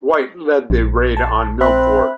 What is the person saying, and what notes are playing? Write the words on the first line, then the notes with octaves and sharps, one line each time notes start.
Wight led the raid on Millport.
A#1
A5
C4 E5 B5 F#6